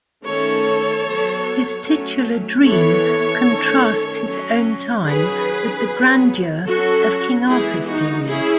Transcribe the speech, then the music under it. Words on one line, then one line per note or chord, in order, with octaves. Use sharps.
His titular dream contrasts his own time with the grandeur of King Arthur's period.
D#3 A3 C#4 A4 C#5
F#3 B3
F#3 A3 C#4
E3 B3 A4 C#5
D#3 A3 C#4
F#3 C#4
D#3 F#3 C#4 G#4 B4
F#3 B3
F#3 C#4 F#4 A4
E3 G#3 B3 E4 G#4
D#4 F#4
C#4 E4 G#4